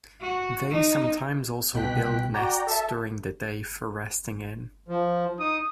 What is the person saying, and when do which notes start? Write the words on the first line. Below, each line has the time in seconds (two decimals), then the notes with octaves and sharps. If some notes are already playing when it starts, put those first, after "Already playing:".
They sometimes also build nests during the day for resting in.
0.21 F#4
0.70 D#4
1.73 C2 B2 G5 F#6 B6
2.34 F#4 D5 G5 A#5
2.67 A4 E5 A5
4.89 F3
5.39 D#4 D#6